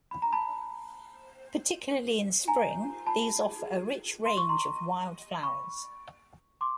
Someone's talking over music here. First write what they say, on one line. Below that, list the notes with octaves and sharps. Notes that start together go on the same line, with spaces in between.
Particularly in spring, these offer a rich range of wild flowers.
B5
A#5
A5 B5
G#5 A#5
A5 B5
C6
C#6
A#5 C6
B5 C#6
C6 D6